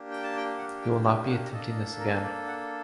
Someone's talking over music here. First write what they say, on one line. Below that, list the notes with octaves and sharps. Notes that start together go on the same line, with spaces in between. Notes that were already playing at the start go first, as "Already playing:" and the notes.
He will not be attempting this again.
Already playing: A#3 D4 G4
G5
A5
G5
F#5
G5
G5
F#5
A#3 D4 A4 D#5
D#5
D5
A#4
D5
F#5